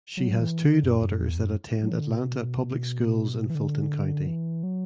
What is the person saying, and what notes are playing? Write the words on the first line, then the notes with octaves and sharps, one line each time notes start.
She has two daughters that attend Atlanta Public Schools in Fulton County.
F#3
E3
D3
F#2
F#2
E2
F#2
F#3
E3
D3
B2
E3
D3
E3
F#3